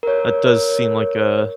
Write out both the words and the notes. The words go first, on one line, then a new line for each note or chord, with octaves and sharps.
that does seem like a
A#4 C#5